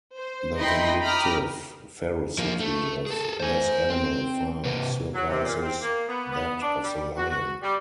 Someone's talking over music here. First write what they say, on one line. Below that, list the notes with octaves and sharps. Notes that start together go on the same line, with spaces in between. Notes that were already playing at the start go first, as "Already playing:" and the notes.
The vindictive ferocity of this animal far surpasses that of the lion.
C5
D#4 E4 D#5 G5 B5 C6
G5 A#5 B5 D6 D#6 F6
F3 A#3
A3
G#4 A4
C5 G#5
C4
C3 B4
F#3
C3
A#2
C4
A#3
B3
B3
D4
G3
F#4
F#4
G3